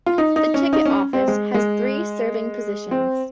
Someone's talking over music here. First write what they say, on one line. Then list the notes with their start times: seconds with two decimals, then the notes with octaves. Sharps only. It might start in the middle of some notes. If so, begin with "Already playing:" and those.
The ticket office has three serving positions.
0.06 F4
0.18 D#4
0.36 D#4
0.54 C#4
0.73 D#4
0.85 C#4
1.13 C4
1.28 G#3
1.54 G#3
2.91 C4